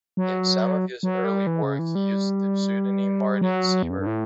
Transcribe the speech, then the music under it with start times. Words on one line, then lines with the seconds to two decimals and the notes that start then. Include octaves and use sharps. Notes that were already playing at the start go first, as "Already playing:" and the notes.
In some of his early work he used the pseudonym Martin Sievre.
0.17 F#3
1.03 F#3
1.24 G3
1.47 E3
1.63 C#3
1.79 E3
1.95 G3
3.41 F#3
3.83 E2
3.90 F#2
3.99 G2
4.07 A2